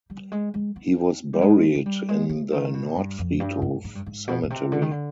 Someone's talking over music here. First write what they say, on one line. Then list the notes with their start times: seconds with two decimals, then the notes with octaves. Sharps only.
He was buried in the Nordfriedhof cemetery.
0.10 G3
0.32 G#3
0.54 G#3
0.76 B3
1.33 G3
1.42 G#3
1.75 G#3
1.86 G3
2.09 G#3
2.30 G#3
2.52 D#3
2.74 B2
2.95 G2
3.19 F2
3.40 G2
3.62 G#2
3.84 G#2
3.95 G2
4.06 G#2
4.28 B2
4.44 B2
4.50 C3
4.72 D3
4.82 D#3
4.91 D3